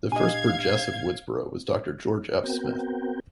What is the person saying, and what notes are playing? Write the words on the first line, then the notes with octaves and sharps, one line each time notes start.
The first Burgess of Woodsboro was Doctor George F. Smith.
A#2 D4 G4 D#5 F5 G#5 G#6
B3 C4 F#4 A#4 G5